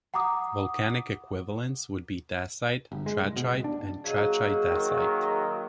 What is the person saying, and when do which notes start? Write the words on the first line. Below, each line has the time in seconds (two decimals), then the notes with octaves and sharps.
Volcanic equivalents would be dacite, trachyte and trachydacite.
0.14 F#5 A#5 D6 D#6
2.92 G1
3.06 G#3
3.23 C2
3.36 B2
3.53 D#1
3.64 D4
4.04 F#3 A#3 G#4 D#5
4.72 D#3